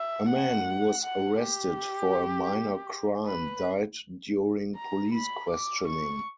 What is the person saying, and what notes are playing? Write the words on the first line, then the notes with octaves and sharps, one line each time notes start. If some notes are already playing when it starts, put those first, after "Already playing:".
A man who was arrested for a minor crime died during police questioning.
Already playing: E5
F#5
F#5
G4
B4
A#5
B5
D6
C#6